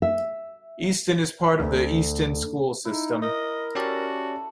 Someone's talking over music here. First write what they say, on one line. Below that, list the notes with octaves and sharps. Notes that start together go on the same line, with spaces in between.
Easton is part of the Easton School System.
E5
D2
D#4 E4
A#4 D#5
C#4 F#4 G4 A4 D5